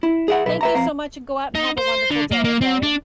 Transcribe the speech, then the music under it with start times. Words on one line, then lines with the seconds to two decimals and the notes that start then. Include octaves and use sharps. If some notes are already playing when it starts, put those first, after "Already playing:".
thank you so much and go out and have a wonderful day, okay?
0.03 E4
0.28 G#4 E5 F#5
0.46 B1 B4 E5
0.61 B4 E5 A#5
0.75 F2 C4 F5 A#5
1.55 D#4
1.78 C5
2.11 D3
2.32 A#3
2.44 A#3
2.61 C4
2.83 D4